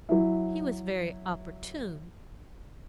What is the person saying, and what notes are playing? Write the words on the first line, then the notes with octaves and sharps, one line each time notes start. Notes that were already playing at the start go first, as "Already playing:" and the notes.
He was very opportune.
F#3 E4